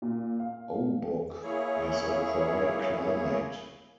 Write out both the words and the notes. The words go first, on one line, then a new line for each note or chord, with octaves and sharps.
Obock has a dry climate.
A#2
F5
A#3 E4 G#4 C#5